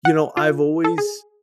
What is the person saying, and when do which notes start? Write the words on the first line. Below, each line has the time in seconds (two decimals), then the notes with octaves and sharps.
you know, I've always
0.05 F#5
0.37 F4
0.84 A4
0.98 G#4